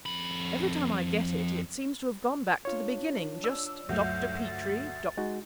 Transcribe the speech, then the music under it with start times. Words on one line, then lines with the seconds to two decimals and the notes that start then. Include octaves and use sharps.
Every time I get it, it seems to have gone back to the beginning--just Dr. Petrie--Dr.
0.06 F2 B5
2.65 D4 F4 C#5
3.44 D5 E6
3.89 D2 G2 F#3 A3 G6
4.44 A6
5.17 G#3 D#4 F#4